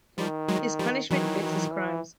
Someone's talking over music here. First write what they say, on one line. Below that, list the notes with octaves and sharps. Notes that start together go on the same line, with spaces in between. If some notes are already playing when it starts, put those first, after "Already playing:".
His punishment fits his crimes.
D#3 F3 G3
F#3 G#3
F3 G3
D#3 E3 F#3
D#3
E3